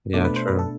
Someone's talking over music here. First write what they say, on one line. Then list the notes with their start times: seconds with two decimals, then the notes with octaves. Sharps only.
Yeah. True.
0.13 B2 A3 D4 D5
0.25 B4
0.36 C5
0.48 B4
0.59 A4